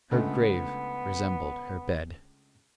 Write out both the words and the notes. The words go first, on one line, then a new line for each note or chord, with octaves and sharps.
Her grave resembled her bed.
C#2 D3 A3 B3